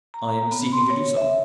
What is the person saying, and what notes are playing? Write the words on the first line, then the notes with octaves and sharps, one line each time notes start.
"I am seeking to do so."
A#5
B3
C6
C#5
E5